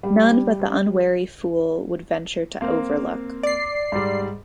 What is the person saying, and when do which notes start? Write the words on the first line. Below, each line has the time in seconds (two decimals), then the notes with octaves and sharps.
None but the unwary fool would venture to Overlook.
0.03 G3
2.61 A#3 C4 F5
3.43 D5 C7
3.92 G#2 G3